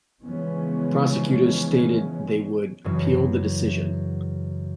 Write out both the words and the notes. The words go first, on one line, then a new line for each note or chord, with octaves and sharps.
Prosecutors stated they would appeal the decision.
C#3 E3 F3 G#3 B3 C#4
F#2 C#3 E3